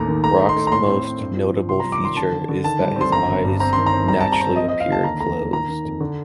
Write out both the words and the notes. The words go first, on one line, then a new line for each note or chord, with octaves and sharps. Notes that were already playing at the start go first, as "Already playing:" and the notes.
Brock's most notable feature is that his eyes naturally appear closed.
Already playing: A1 D#2 A3 A#5
D#3
A3 A#5
D#4
C6
A3
A#5
A2 C6
C4
C4
G2
F3
F3
C3 C6
G3 A#5
D6
D#3 C6
D3 A5
D3
D3
D#3 A5
G3
C4 C6
G1 A#5
G1
G2
C4 A#5
D#3 C6
A#5
C4
G3 A#5
C4 A5
A#5
C4
F2 D#5
F2 D#5
F5
D3 A5
D#2 A#5
A3 A#5
D#2
D#3 A#5
D#3
F2
D3